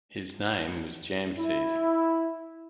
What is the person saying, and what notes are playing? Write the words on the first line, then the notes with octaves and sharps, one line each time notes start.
His name was Jamseed.
E4